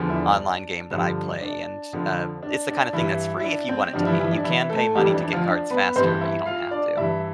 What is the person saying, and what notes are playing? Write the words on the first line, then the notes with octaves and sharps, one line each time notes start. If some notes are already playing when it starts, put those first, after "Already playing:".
online game that I play, and, uh, it's the kind of thing that's free if you want it to be. You can pay money to get cards faster, but you don't have to.
Already playing: E2 D3 F3
E4
D4
G2 D3 F3
D4
F2 D3 F3
D4
D4
G2 E3 E4
E4
D4
C4
G2 F3 D4
E3 E4
E3 E4
D4
E3 E4
A3 A4
F2 E3 G3 G4
D4
D4
F3 F4
D4
B3 B4
G2 E3 C4 C5
E4 E5
F4 F5
D4 D5
G2 E3 E4 E5